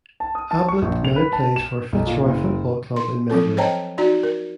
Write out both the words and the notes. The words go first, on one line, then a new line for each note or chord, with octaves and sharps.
Ablett now plays for the Fitzroy Football Club in Melbourne.
A5
D#6
A5
C#6
A#1
F7
B4
A5
E7
B1
A#2
F#1
C6
F3 F#3 C4 A4
C5 C#5 D#5 G5 A5 A#5
D#4 F#4 D5 A#5
A#4